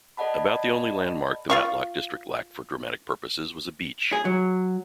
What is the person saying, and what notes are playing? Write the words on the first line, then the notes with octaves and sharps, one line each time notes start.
About the only landmark the Matlock district lacked for dramatic purposes was a beach.
A4 D5 D#5 F#5 A5 B5
F4 F5 C#6
G#4
F#3